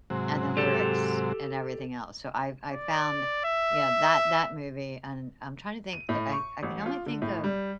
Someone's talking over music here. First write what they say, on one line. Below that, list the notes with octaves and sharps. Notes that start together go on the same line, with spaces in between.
and the lyrics and everything else. So I I found, you know, that that movie, and I'm trying to think. The I I can only think of
G#2 C3 F#3
G4 A4
D5
E5
D#7
A2
C#6
A1
F4
D3
A2
G3